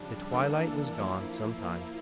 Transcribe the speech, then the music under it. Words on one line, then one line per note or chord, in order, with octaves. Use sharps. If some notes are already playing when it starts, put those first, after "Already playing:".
The twilight was gone some time.
Already playing: F2 C#3 G3 D4
E3 A#3 D4 A4
F3 A#3 E4